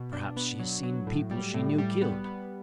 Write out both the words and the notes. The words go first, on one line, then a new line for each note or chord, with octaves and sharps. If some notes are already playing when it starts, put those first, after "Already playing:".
Perhaps she has seen people she knew killed.
Already playing: B2
D4
B3
F#3
F#3
A2
G3
A2
G3
B3
B3